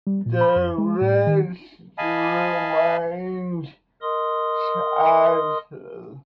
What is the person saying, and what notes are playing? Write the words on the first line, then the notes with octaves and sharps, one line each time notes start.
The rest remained chattel.
G3
A#2
B5
F2
G#3
A2
D#3
D#5 F5 G#5 A5 B5
A#4 D#5 C6 D#6